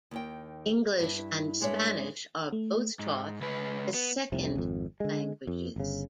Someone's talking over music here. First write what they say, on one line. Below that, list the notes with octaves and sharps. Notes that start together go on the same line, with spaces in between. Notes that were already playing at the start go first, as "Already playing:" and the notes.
English and Spanish are both taught as second languages.
D#2 D#3 G5
G2 E4
G2 G#3 D4 C#5 E5
A3
G#2
C#2 B4
B3
F1 C2 C3
G#1 F2
D3 G#3
F2
G1 C#3